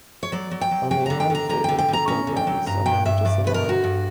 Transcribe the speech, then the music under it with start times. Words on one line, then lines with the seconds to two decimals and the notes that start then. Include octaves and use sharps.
Only a handful of the programmes are known to survive.
0.23 C#5
0.32 F#3 D5
0.51 F#3
0.61 G5
0.71 F#3
0.91 F#3 G5
1.06 D3 A#5
1.20 G5
1.30 D3 A#5
1.49 D3 A#5
1.64 D3 G5
1.79 G5
1.88 D3 A#5
2.08 C#4 A#5
2.27 D3
2.37 G5
2.47 F#3
2.66 G2 A#5
2.86 G2 G5
3.05 G2 E5
3.25 G2 D5
3.44 D3 B4
3.54 A#4
3.64 G2 F#4
3.84 G2